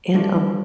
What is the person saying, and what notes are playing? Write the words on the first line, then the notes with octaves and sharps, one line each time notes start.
And, um,
D3 F3 G3 A3 D4 F4